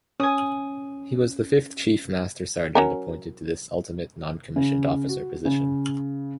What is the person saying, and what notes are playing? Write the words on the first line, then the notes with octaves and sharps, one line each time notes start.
He was the fifth chief master sergeant appointed to this ultimate noncommissioned officer position.
C#4 G#5 D#6
F#3 C#4 A#4
C#3
F#4
C#3